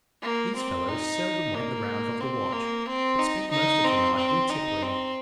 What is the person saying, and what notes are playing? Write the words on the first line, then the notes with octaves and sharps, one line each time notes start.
These fellows seldom went the rounds of the watch, but spent most of the night in tippling.
A#3
C4
D#4
A#3
C4
A#3
C4
D#4
D#4
C4
C4
D#4
C4